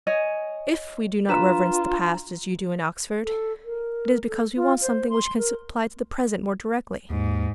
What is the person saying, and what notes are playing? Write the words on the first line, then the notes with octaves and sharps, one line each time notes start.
'If we do not reverence the past as you do in Oxford, it is because we want something which can apply to the present more directly.
C#5 D#5 G#5
D4 F4 B4 A#5 E7
A4
A#4
A4
F4
C5
C6
A#4
D#2 G#2